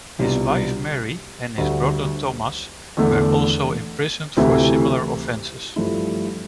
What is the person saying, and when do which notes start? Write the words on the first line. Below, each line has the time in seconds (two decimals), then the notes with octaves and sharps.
His wife Mary and his brother Thomas were also imprisoned for similar offences.
0.19 C2 B2 B3 D4 F4
1.58 D2 D3 G3
2.97 E2 D3 A3 D4
4.37 D2 C3 E3 A3 E4
5.76 G2 F3 A3 E4